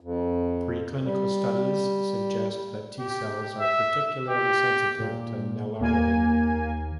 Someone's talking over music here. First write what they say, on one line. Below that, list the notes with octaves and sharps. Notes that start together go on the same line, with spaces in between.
Pre-clinical studies suggest that T-cells are particularly sensitive to nelarabine.
F2
G3
G4
E5
G4
A#2
D#2 A#3 G#5